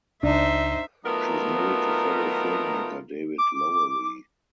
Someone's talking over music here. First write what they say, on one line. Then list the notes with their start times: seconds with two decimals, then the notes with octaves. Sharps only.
She is married to fellow filmmaker David Lowery.
0.23 C#2 D4 D#4 C5 E5
1.05 F#3 A3 B3 D#4 F4 A#4
3.38 D6